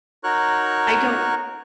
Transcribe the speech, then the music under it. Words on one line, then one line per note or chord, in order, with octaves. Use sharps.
I don't
D#4 F#4 A#4 C#5 C#6 F#6